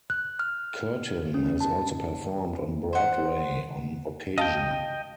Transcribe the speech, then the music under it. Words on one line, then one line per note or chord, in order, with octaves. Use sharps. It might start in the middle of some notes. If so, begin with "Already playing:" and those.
Curtin has also performed on Broadway on occasion.
F#6
F6
C#4
A5
C5 F#5
D#5 F5 G5 A5